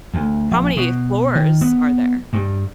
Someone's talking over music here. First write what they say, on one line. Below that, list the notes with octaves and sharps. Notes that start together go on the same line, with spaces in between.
How many floors are there?
D2
A#1
B2
D#3
B3
G2